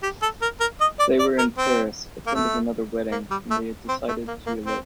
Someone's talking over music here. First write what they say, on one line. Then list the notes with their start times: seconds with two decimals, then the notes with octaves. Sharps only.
They were in Paris attending another wedding when they decided to elope.
0.03 G4
0.22 A4
0.42 A#4
0.60 A#4
0.81 D#5
0.99 D5
1.19 D5
1.38 A#4
1.57 C4
2.27 A#3
2.35 A3
3.11 A#3
3.31 G3
3.51 A3
3.89 C4
4.08 A3
4.28 A#3
4.47 A#3
4.66 C4